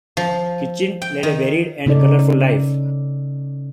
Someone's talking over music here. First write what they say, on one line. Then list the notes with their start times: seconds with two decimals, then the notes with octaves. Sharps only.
Kitchin led a varied and colourful life.
0.17 F3
1.02 G5
1.23 D#3
1.86 C#3 C#4 D#4 A4 D5